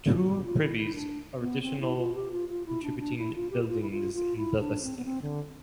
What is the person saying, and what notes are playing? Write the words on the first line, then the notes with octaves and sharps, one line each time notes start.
Two privies are additional contributing buildings in the listing.
F4
G4
F4
E4
E4
D4
B3
C4
E4
F4
G4
F4
F4
E4
D4
D4
E4
F4
G4
E4
F4
E4
F4
F4
E4
D4
C4
B3
C4
D3